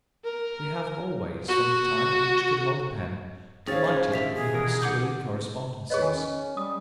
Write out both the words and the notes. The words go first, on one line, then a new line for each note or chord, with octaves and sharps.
We have always, from the time each could hold a pen, delighted in epistolary correspondencies.
A#4
F#4
F3 C4 C#4 G#4 C#5 F5 A6
D#3 F3 F4
A#2 D3 D#3 G4 E5 B6 F7
G#4
B2 E3 A#4
F#5 D6 G6
G#4 B4 C#5 D#5
D#3 G#5
C#4
G3 D#6